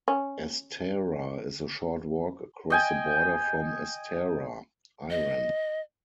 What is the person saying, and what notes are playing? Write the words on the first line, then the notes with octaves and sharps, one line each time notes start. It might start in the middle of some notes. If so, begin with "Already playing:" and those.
Astara is a short walk across the border from Astara, Iran.
C#4
D#5 G5 G#5
D#5